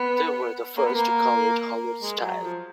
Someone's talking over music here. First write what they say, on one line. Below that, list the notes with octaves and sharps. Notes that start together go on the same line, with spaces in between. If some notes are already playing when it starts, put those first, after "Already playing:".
They were the first to call it "Hollywood Style".
Already playing: B3
A#3
B3
A#3
G#3
F#3
F3